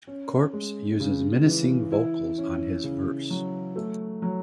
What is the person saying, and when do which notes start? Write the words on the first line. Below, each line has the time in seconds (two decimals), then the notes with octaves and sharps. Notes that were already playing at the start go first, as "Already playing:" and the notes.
Corpse uses menacing vocals on his verse.
0.07 C#4
0.53 G#3
1.00 C#3
1.46 E3
1.92 E4
2.38 C#4
2.84 C#3
3.30 F#3
3.76 A3
4.22 F#3